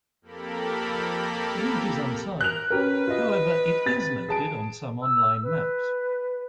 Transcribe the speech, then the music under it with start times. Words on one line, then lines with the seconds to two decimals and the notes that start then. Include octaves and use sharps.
The route is unsigned; however, it is noted on some online maps.
0.21 F2 A#3 G4 A4 A#4 B5
2.41 A#4 F#6 F7
2.70 C#4 G4 A#4 B4
3.07 F4 D#5
3.86 C3 A6
4.29 G#4 A5 D7
5.02 E6
5.42 B4